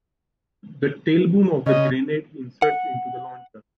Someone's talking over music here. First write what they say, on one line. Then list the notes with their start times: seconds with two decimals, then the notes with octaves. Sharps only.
The tailboom of the grenade inserts into the launcher.
1.66 C#3 D#5
2.62 F#5